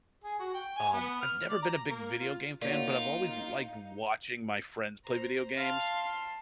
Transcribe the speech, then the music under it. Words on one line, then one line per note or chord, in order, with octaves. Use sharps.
Um, I've never been a big video game fan, but I've always liked watching my friends play video games.
G#4
F#4
G5
G#5
B3
F6
D5
A#5
A#3
F4
A#3 D#4 F4 F#4 C#5 D5 F5
C5 A#5
F5 A5 C6